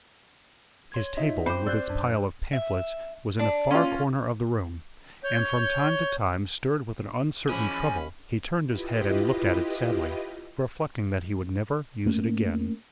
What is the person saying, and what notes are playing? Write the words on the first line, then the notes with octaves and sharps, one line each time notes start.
His table, with its pile of pamphlets, was in a far corner of the room, and, from time to time, stirred with an uncertain trouble, he turned his head and looked at it sadly, reflecting that he would never use it again.
C#5 C6 G#6
D#4 F4 D#5 E5
F#2 C4 C5 B5 D6 G6
D5 E6 F#6 G6
F#2 D4
E5
D5 A5
C#4 F4
C#5 G6
E3 F3 G#3 C#4 G#5 B5
E4 F4 G4 B4 D#5
A3 A#3 C#4